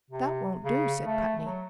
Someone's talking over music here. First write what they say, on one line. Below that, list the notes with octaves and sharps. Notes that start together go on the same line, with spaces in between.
"That won't do," said Putney.
C3
C#3
A3
F#3